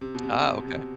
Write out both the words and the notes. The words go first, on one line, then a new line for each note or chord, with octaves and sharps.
Ah, okay.
C3
B2
C3
C3
C3